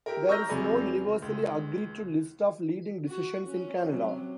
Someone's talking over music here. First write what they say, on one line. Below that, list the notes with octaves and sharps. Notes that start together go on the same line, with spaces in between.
There is no universally agreed-to list of "leading decisions" in Canada.
E4 G4 A#4
A#5 C#6 E6 F6 G6 A#6
E2 C3 F#3 G#4 B4 D5
C#3
C#2
F#4
C#4
C3 F#3